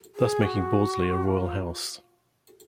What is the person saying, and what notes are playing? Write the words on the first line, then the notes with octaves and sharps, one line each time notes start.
Thus making Bordesley a royal house.
G#4
F#4
F4